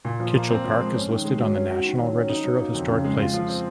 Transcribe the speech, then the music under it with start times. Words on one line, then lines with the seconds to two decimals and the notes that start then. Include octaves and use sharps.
Kitchell Park is listed on the National Register of Historic Places.
0.05 A#2
0.20 F3
0.35 A#3
0.50 C4
0.64 F3
0.79 G#3
0.94 C#4
1.09 D#3
1.25 G#3
1.39 F#3
1.55 C#4
1.69 F#4
1.84 D#3
1.99 F#3
2.14 C#4
2.30 D#4
2.44 F#3
2.59 A#3
2.74 F2
2.89 C#3
3.04 G#3
3.19 F4
3.34 F3
3.49 C4